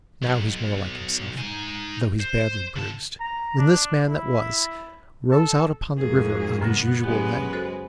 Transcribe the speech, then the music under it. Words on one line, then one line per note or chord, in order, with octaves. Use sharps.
Now he's more like himself; though he's badly bruised,--when this man that was, rows out upon the river on his usual lay.
B1
D#4 G#5
C5
C#3 A5
A#5
D4
E4
A4
F2 G#2 D#3 G#4
F#4
F#2 C#3 B3 A#6
F#2 G#3 G4 B4
F#4 A4 C5